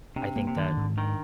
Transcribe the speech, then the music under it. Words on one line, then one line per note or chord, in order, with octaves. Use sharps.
I think that
C3 D4
A#3
C3
D3 D#3
G#2
D#3 D4